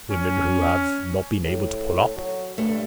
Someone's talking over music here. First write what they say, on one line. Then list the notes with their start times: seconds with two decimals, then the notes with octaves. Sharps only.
"The women who have--not been able to pull up?"
0.10 C#4
1.44 A2
2.17 F#3
2.58 G2 A3